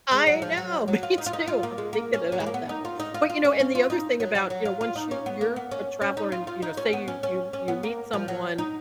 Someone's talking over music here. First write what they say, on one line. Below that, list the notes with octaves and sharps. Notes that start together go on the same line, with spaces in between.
I know! Me too, I'm thinking about that. But, you know, and the other thing about, you know once you you're a traveler and, you know, say you you you meet someone,
G#3
F#3
F3
F#3
F#3
F4
D#4
F4
D#4
F4
A#3
G#3
A#3
C#4
F#3
G#3
A#3
B3
D#4
F4
D#4
F4
F4
C#4
C#4
F4
D#4
F#3
F#3
F#3
F4
F4
D#4
C#4
B3
A#3
B3
C#4
C#4
D#4
F4
F4
D#4
C#4
B3
C#4
C#4
C#4
B3
A#3
F3
F#3
D#4